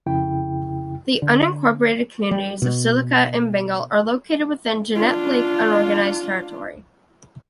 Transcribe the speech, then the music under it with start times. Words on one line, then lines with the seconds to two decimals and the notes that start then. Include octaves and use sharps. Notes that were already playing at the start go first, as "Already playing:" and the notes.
The unincorporated communities of Silica and Bengal are located within Janette Lake Unorganized Territory.
0.06 F2 C#3 E4 G5
1.22 D3
2.31 G3
2.62 B2
4.96 D4 F4